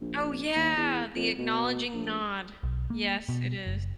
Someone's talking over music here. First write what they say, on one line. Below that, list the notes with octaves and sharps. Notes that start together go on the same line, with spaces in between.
Oh, yeah, the acknowledging nod. Yes, it is.
A#1
D#2
E2
F2
B2
A#1
B1
A#3
B2
F#1